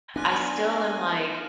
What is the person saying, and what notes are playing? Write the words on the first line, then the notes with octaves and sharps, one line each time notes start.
I still am, like,
B3 D4 F4 G#5 F6 F#6 A#6